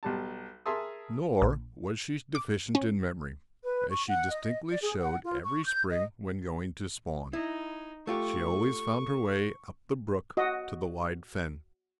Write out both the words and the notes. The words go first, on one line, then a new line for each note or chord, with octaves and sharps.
Nor was she deficient in memory, as she distinctly showed every spring when going to spawn; she always found her way up the brook to the wide fen.
B1 G3 A5
G#4 A#4 E5 A5 C6 D#6
A#1
D6
C#4
B4
C#6
F#5
D#5
D5
G#4
F#5
F4
C#6
G6
D#5
D#4 E4
A3 F4 G4 C#6
F#4 D#5